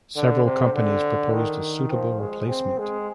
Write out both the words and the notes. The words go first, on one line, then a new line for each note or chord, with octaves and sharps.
Several companies proposed a suitable replacement.
D3
C3
D3
D#3
F3
G#3
C4
G#3